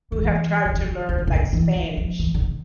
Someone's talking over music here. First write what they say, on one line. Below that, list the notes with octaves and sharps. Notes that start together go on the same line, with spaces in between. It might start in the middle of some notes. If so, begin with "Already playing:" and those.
who have tried to learn, like, Spanish.
D#3
E3
D#3
E3
D#3
D#3
D3
C#3
D3
E3
E3
F3
E3
D3
D#3